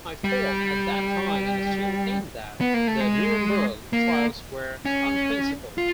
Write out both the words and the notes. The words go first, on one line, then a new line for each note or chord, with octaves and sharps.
I thought at the time and still think that the Nuremberg trials were unprincipled.
G3
B3
A#3
A3
G#3
A#3
C#4
F4